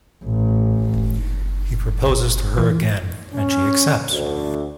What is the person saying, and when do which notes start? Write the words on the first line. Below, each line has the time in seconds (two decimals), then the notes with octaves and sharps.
He proposes to her again and she accepts.
0.25 A1
2.58 E3
3.34 C#4
4.10 D2